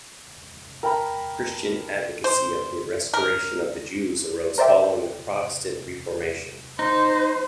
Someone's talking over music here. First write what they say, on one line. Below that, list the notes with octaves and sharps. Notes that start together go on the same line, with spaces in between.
Christian advocacy of the restoration of the Jews arose following the Protestant Reformation.
A#4 G5 A5 B5
C5
A#4
A#4 C5 D5 E5 G5
D#4 C5